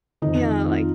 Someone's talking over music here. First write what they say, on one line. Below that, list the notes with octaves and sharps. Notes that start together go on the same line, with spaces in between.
yeah, like
F2 D#3 D#4
F4